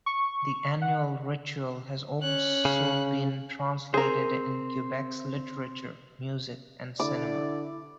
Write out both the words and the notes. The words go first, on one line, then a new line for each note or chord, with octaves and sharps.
The annual ritual has also been translated in Quebec's literature, music and cinema.
C#6
F#5
C#4 F#6
C#3
C4 G#4 A#4 C5
D3 E4 D5 D6